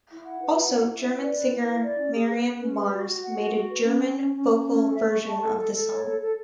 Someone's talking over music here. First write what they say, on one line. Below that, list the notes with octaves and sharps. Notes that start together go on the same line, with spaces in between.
Also German singer Marion Maerz made a German vocal version of the song.
E4
F#5
B4
F#5
E4
E4
B4
D5
B4
E4
E4
D5
C#4
G#4
B4
B4
C#4
B4
F#4
F#4
F#5
F#4
F#4
B4
C#4
C#4
C#4
C#4
C#4
C#4
A4
E5
C#6
A5
A4
A4
A4
C#5
A4
A4